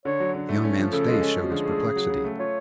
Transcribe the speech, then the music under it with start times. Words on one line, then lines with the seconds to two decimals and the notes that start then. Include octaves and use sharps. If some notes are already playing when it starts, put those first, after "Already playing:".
The young man's face showed his perplexity.
0.05 D3 C#5
0.20 F#3
0.35 D3
0.49 A3
0.64 C#4
0.78 F3
0.93 C#3 A4
1.08 G#3
1.22 C#4
1.37 F3
1.43 F#4
1.51 D3 G#4
1.65 A3
1.81 C#3
1.96 F#3
2.10 C#3
2.24 A3
2.39 F4 C#5